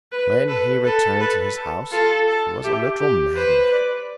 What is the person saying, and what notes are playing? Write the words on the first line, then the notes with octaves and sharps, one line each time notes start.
When he returned to his house he was a literal madman.
B4
A4 B4
A4 B4
B4
A4
F4 A4
A4
G4 E5
G4
B4 C5
D5